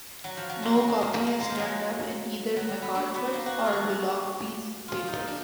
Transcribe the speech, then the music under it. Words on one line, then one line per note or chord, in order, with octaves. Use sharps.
No copy has turned up in either MacArthur's or Willoughby's papers.
F#3
F3
F#3
G#3
F#3
G#3
A#3
A#3
A#3
G#3
F3
F#3
F#3
F#3
B3
D4
B3
A#3
F#4
F4
G#4
F#4
F4
D#4
D4